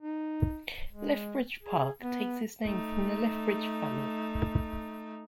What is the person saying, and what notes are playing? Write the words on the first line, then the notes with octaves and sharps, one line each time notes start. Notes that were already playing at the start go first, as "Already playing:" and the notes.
Lethbridge Park takes its name from the Lethbridge family.
D#4
G#3
G#4
B3
A3 D#4